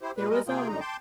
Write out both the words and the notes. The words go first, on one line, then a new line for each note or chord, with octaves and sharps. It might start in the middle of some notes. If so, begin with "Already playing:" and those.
There was, um
E4 G4 C5
A#2 G3 B4
G3 G#3 A#4 D#5
C3 A#3 F4 G#4 G5
F#2 D3 D#4 A#5
G5 A5 C6 D6 G6